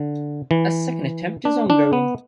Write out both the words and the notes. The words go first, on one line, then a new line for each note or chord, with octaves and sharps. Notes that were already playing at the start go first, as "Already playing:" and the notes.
A second attempt is ongoing.
Already playing: D3
E3
D4
D4
B3